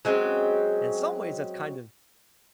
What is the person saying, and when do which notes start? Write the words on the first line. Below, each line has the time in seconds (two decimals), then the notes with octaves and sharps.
In some ways, that's kind of, I
0.05 F#3 G#3 C4 C#4